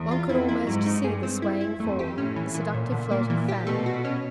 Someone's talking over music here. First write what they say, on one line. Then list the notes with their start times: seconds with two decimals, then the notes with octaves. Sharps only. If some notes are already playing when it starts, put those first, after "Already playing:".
One could almost see the swaying form, the seductive flirt of fan.
Already playing: E2 B3
0.11 F4
0.29 F2 E4
0.49 E4
0.67 G#2 F#3
0.86 D#4
1.04 G2 G#4
1.23 C4
1.42 E4
1.61 E4
1.79 F2 A3
1.99 G4
2.18 A2 C#4
2.36 E3
2.54 A#2 E3
2.74 A2
2.92 D3
3.11 A#3
3.30 E3
3.48 G4
3.66 B2 A3
3.86 F#4
4.05 C#4